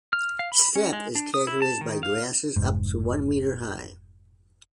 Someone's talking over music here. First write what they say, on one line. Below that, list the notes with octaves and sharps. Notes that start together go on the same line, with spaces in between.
Steppe is characterized by grasses up to one meter high.
F6
F5
B5
C#4
G#3
D4
D#6
E4
A5
D#3
F5
F1 G#2